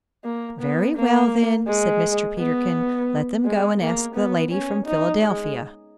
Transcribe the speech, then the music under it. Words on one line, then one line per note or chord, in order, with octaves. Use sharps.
"Very well, then." said Mr. Peterkin, "let them go and ask the lady from Philadelphia."
A#3
B3
A#3
G#3
B3
G#3
A#3
B3
C#4
D#4
G#3